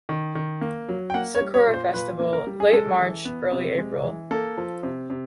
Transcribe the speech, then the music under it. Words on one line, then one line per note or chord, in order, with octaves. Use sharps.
Sakura Festival: Late March-Early April.
D#3
D#3
A#3
F#3
G5
A#3 F#5
C#5
G3
C#5
A#2
C5
A#2 B4
A#3
A#4
G3
G#4
G#3 A4
E3
B3
C3
G#3
E3
A#3 A4
F3
C3
C3